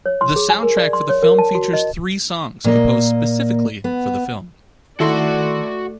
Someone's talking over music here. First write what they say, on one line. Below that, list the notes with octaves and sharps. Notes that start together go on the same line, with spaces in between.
The soundtrack for the film features three songs composed specifically for the film.
C#5
C6
G#4
G#5
A#4
D5
C6
C#5
A#4
A5
F#4
D#5
A#2 A#3 D#5
B3
D#3 A3 E4 F#4 A4 D5 F#5 C6